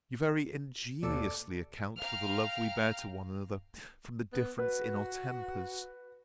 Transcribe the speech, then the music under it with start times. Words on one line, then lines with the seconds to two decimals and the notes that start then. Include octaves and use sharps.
You very ingeniously account for the love we bear to one another, from the difference in our tempers.
1.03 D#2 B2 A4 D5
1.98 F5 G5 A#5 F6
4.33 B3
4.58 F#4 B4